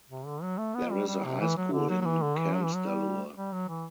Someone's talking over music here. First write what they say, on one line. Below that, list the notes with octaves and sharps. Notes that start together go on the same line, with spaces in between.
There is a high school in Kambsdalur.
C3
D3
F#3
A3
B3
G3
G3
C3
E3
F#3
D3
F#3
F#3
E3
D3
E3
F#3
E3
F#3
G3
G3
F#3
E3